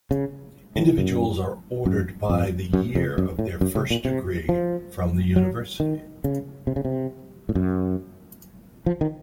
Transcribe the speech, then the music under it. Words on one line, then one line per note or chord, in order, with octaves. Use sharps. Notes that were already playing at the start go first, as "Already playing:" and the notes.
Individuals are ordered by the year of their first degree from the university.
C#3
A2
F#2
F#2
F2
F#2
F2
F#2
A2
F#2
A2
A#2
C3
F3
F#3
D#3
C#3
C3
C#3
C3
A2
F#2
F3
D#3